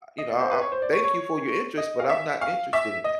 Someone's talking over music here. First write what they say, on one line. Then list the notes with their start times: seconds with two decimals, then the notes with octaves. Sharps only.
you know, I I thank you for your interest," but I'm not interested in that,
0.18 D#5
0.29 D5
0.40 C5
0.51 B4
0.61 C#5
0.72 C5
0.82 D5
0.93 C#5
1.03 C#5
1.77 D#5
2.00 F5
2.09 E5
2.41 F5
2.73 E5
3.04 D#5